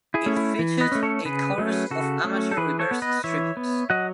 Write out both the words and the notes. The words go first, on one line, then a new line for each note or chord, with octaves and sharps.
It featured a chorus of amateur reverse strippers.
E4 G#4
A3 C#4
E4
E3
B4 D#5
A3 C#4
A4 C#5
C#3 G#4 B4
F#3 A3 C#4
C#3 F#4 A4
F#3 A3 C#4
A4
E3 G#4 B4
A4 C#5
B3
B4 D#5
E3 C#5 E5
B3
F#3 D#5 F#5